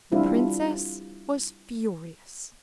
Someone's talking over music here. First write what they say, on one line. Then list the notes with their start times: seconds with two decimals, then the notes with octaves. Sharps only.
The princess was furious.
0.12 G3 C4 D4 E4 F4